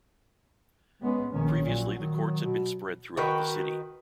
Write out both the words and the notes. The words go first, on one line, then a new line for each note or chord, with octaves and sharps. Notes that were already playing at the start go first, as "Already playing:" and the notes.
Previously the courts had been spread throughout the city.
G#3 B3 C#4
A#1 B2 D#3 C#4
A#2 F#3
D#3
B2
D#3 F#4 B4 G5